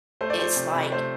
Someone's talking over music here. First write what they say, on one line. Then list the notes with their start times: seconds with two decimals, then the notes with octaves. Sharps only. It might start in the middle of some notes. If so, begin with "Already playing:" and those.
It's like
0.21 A3 C5
0.30 D5
0.39 F3 C5
0.56 C3
0.75 C3
0.92 A3 C5